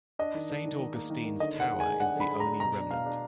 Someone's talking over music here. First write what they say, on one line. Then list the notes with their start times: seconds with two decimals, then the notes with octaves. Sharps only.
Saint Augustine's Tower is the only remnant.
0.19 D4 D#5
0.34 D#3
0.50 D4
0.65 D#3
0.80 D#3
0.95 A#3
1.10 D#3
1.24 D#3
1.40 D3 D#5
1.55 D4
1.60 F#5
1.70 G#3
1.80 G#5
1.85 G#3
2.00 D4 F#5
2.16 D3 B5
2.30 G#3
2.40 A#5
2.46 D4
2.60 B2 A#5
2.76 D4
2.90 B2 F5
3.06 D4